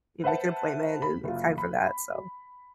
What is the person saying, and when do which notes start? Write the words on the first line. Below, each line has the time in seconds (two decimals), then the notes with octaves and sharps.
you make an appointment and make time for that. So
0.24 B4 C5 E5 F#5 A5
1.02 B5
1.24 F#1 F4
1.58 B5